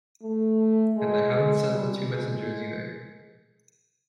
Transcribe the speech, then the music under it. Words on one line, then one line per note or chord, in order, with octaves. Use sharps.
And I haven’t sent the two messengers, either.
A3
G#3
G#3
G3
G#3